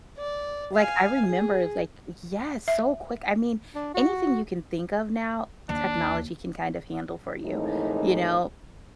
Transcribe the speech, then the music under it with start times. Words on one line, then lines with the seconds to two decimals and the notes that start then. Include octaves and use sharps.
Like, I remember, like yes, so quick, I mean, anything you can think of now, technology can kind of handle for you, you know?
0.17 D5
0.74 F5 G#5
1.25 G#4
2.68 E5
3.75 D4
3.94 F#4
5.69 D#2 D4
7.44 F2 A2 E3 G#3 A#3 D#4